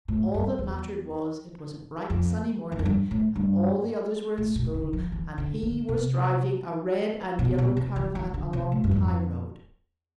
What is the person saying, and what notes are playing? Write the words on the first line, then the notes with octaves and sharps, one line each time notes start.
All that mattered was, it was a bright sunny morning, and all the others were in school, and he was driving a red and yellow caravan along the high road.
A2
G2
E2
F2
E2
F2
G2
A2
G2
A2
B2
D3
F3
E3
D3
D3
C3
B2
B2
C3
E3
E3
D3
C3
A2
G2
F2